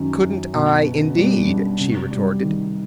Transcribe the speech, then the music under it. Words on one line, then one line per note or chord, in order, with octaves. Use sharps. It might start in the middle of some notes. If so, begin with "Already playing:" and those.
"Couldn't I, indeed," she retorted.
Already playing: F#2 D#3 F#3
F#2
B2
B3
G3
D4
C3
G3
D#3